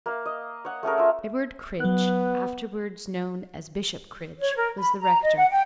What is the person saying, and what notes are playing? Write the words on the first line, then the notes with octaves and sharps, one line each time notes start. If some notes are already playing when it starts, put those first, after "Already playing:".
Edward Cridge, afterwards known as Bishop Cridge, was the rector.
A#3 F5
D#5
C#5 F#5
A3 C#4 G#4 A#4
F4 E5
F#3 B3 F#6
C#5
A#4
B5
A#5
D#5
F#5
G5